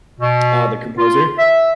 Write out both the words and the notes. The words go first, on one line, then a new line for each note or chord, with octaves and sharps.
uh, the composer.
B2
F4
E5